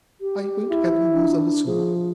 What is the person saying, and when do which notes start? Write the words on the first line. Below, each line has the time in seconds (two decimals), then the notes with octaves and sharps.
I won’t have you use a lasso.
0.21 G4
0.71 E4
1.13 D4
1.67 F3 G#4